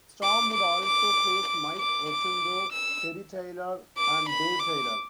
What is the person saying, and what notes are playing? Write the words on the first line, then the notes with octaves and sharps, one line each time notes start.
Storm would also face Mike Rotundo, Terry Taylor, and Dave Taylor.
D6
D6
D6
D6
D6
D6
E6
D6
B5
D6